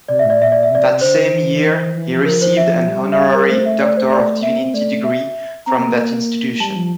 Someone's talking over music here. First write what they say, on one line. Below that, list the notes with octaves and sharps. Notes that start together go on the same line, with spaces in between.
That same year he received an honorary Doctor of Divinity degree from that institution.
C3 D5
A2 E5
D5
A#2 E5
D5
E5
C3 D5
D3 C5
E3
E3
F3
F3 A#4
C5
E5
G3
E5
F5
A#4
A3 C5
E5
D5
C5
D5
A#3 E5
C4
A3 D5
E5
C4 A#5
A#3
A#3
G3 A5
F3